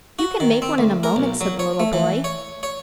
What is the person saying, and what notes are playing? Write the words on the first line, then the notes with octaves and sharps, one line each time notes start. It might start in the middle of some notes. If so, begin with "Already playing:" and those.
"You can make one in a moment," said the little boy.
F#4
D#3
C4
D2
A#4
B1
F#3
C#5
A3
E3
C#5
C#5